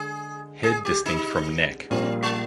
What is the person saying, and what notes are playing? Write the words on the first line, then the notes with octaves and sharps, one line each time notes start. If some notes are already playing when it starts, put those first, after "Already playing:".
Head distinct from neck.
Already playing: D3 G#3 G#4
G#4
G4
D#4
A#1 A#2 G3 A#3 C4 F4
G#3